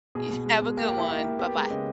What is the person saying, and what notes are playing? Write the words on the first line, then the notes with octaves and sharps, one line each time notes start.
Y have a good one, buh-bye.
B2 G#4
B2
G#3
B2
A#3 G4
G4
A#3
E4
A#3
A#3
B3 G4
G#3
C#3 D#5